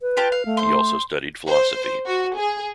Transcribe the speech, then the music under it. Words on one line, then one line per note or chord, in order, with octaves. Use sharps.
He also studied philosophy.
B4
F4 G4 A5
F5
A3
C5 C6
C5
F#4
G#4